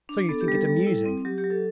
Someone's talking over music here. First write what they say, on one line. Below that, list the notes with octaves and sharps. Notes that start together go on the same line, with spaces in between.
"So you think it amusing?"
D4
B3 A4
G4
G3
A4
G3
E4
C4
F#3 G4
G4
F#3
A4